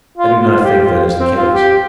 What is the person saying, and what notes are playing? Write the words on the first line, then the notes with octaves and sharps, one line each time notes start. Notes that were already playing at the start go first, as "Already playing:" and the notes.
"I do not think that is the case."
F4
F4
G4
F4
C4
F4
G4